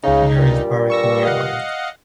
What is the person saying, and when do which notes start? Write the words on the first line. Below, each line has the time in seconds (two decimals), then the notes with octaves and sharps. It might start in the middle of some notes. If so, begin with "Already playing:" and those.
Heer is buried nearby.
0.04 C#2 C#3 D#4
0.36 G2 A#2 G3
0.90 C#6 E6 A#6
1.23 D#5 F5 F#5